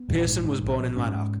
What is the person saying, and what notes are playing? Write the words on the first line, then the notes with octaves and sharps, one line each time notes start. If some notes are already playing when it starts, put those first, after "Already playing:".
Pearson was born in Lanark.
Already playing: B3
A#1
G#2
G#2
A#1
A#1
G#2 C#4
G#2